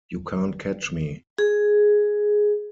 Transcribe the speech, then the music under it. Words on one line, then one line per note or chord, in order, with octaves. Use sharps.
You can't catch me.
G#4